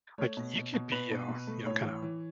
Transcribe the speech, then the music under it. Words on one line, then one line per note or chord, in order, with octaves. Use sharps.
like, you could be, uh, you know, kinda
A3 C#5
B2
B2
B2
B2 B4
B2
B2
A3
A2 C#5
E3
E3